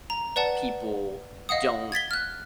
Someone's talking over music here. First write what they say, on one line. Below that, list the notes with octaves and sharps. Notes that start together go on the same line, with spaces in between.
people don't
A#5
B4 D5 F#5 A5
D#5 F5 F#5 D#6
G#6 A6 B6 G7
F6 F#6